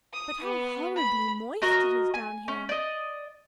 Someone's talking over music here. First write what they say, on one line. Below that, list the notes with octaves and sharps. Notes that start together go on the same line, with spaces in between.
But how horribly moist it is down here!
D#6
B3
B5
F#4 A#4 D#5
G#5
C#4
D5 D#5